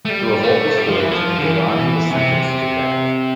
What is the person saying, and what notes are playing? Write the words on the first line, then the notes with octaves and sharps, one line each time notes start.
The revolt was foiled and Gaylani was sentenced to death.
A3
G3
A3
G3
F3
E3
F3
D3
E3
C3